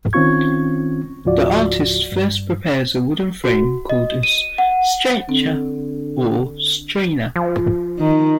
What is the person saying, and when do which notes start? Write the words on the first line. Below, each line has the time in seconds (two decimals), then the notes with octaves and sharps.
The artist first prepares a wooden frame called a "stretcher" or "strainer".
0.13 D#3 C4 C#4 F4 C#6 G#6
1.25 C#2 G#2 F3 F4 F#4 D5
2.12 G2
3.44 F#4
3.89 D#5
4.23 D#7
4.58 F#5
5.29 D3 C4
7.36 F3
7.99 D#3 D#4